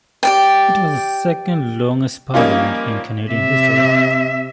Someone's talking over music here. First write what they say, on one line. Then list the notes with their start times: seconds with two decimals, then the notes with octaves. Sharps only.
It was the second longest parliament in Canadian history.
0.23 G4 D5 G5
2.34 F3 G3 A#3 C#4 D#4 F4
3.27 C3 E5